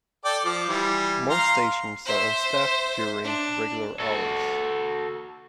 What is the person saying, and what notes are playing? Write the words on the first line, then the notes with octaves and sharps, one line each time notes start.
Most stations are unstaffed during regular hours.
A4 D5 G5
F3 D6
E3 G3
F5 A#5 C6
C5 E5
D4
F#4 A4